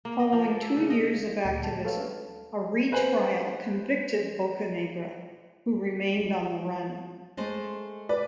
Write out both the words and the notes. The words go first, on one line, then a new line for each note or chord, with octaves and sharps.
Following two years of activism, a retrial convicted Bocanegra who remained on the run.
A#3
D#5
F3
D5
A4
C#3
D#5
D2 A#2 A3 G4
A5
A4 B4 C#5 F5
B4 C5 G#5 F#7
G#3 A3 C5
B4 D5